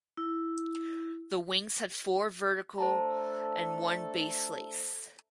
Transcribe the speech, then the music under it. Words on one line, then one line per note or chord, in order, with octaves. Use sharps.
The wings had four vertical and one base lace.
E4
A3 D4 A4 C5 A5 A#5